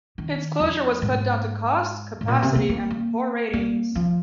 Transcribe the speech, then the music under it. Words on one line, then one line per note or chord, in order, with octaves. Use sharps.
Its closure was put down to cost, capacity and poor ratings.
D#3
F2
G#2
G#2
A#2
C3
A#3
A#3
A#3
A#3
F3